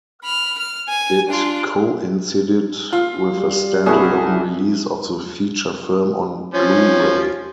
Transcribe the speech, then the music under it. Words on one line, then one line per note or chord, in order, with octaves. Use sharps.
It coincided with a standalone release of the feature film on Blu-ray.
B5 F6
F6
G#5
D4 F4
F4
G3
C2 E4 F#4 G#4
F3 C#4